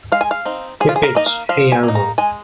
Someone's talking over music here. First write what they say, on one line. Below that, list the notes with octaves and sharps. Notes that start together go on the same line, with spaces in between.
He pitched Hey Arnold!
G#3 F5
G#5
F5
C4 D#4
F3 G#4
F4
G#4
A#4
A#3 D#4 D#5
F5
F3 F5
G#5
A#3
D#4
A#5
G#3 G#5